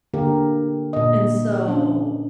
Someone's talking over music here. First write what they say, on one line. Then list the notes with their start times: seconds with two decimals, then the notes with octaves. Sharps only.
and so
0.14 D3 A#3 G4 A#4
0.93 A#2 D#5
1.68 C#4 D4